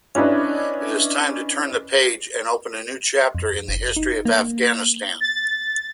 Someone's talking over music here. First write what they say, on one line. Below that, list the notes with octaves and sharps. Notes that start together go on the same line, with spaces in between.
It is time to turn the page and open new chapter in the history of Afghanistan.
C#4 D4 E4 B4 D#5
F2
F#1
D#4
A#3
A6